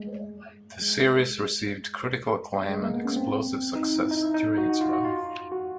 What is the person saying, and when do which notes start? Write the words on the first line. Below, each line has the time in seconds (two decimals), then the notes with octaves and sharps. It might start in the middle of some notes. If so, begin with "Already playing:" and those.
The series received critical acclaim and explosive success during its run.
Already playing: G#3 A3
0.82 G#3
2.70 G#3
2.82 A#3
2.93 B3
3.05 C#4
3.16 C4
3.75 D#4
3.99 E4
4.11 D#4
4.34 D#4
4.58 F#4
4.69 F#4
4.81 F4
4.93 F#4
5.05 F4
5.52 F#4